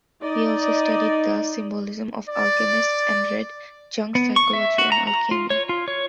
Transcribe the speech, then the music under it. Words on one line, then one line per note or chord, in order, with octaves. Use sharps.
He also studied the symbolism of the alchemists and read Jung's "Psychology and Alchemy".
D#4 D5 D#5
D5
B3
C#6
E5
F#4
A#5
A#5
F4
C#5
F4
C#5